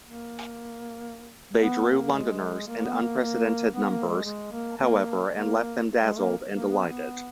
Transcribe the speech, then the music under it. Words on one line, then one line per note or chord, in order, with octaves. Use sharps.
They drew Londoners in unprecedented numbers, however, and left them dazzled and delighted.
A#3
B3
A#3
G#3
A#3
B3
A#3
A#3
B3
A#3
G#3
G#3
A#3
A#3
A#3
G#3
A#3
A#3
B3
B3